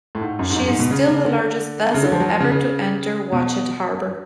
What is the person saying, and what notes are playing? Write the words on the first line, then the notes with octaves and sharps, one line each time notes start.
She is still the largest vessel ever to enter Watchet harbour.
A2
G#2
F#2
G#2
F#2
G#2
B2
C#3
C#3
D3
C#3
D3
F3
F#3
F3
C#3
C#3
B2